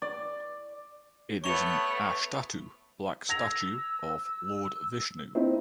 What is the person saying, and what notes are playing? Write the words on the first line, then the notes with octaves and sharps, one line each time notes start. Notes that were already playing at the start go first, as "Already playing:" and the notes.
It is an ashtdhatu black statue of Lord Vishnu.
D5
A3 B3 C#5 C#6 F7
E6 G#6 A#6 F7
C4 D#4 E4